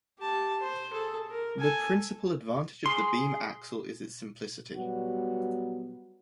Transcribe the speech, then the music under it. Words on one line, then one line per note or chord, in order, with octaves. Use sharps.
The principal advantage of the beam axle is its simplicity.
G4 A5
C5
G#4 A4
A#4
A4 G#5
G#4 C6
F#3 G3 B3 F#4